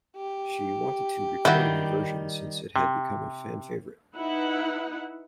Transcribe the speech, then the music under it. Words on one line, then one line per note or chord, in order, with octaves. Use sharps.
She wanted to record a new version since it had become a fan favorite.
G4
D#3 G3 E4 F#4
C3
D#4 E4 B4 F#5